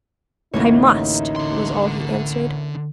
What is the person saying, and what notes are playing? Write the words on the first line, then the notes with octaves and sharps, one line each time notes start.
'I must,' was all he answered.
A1 D2 A3 A#3 D#4 C#5
D3 C6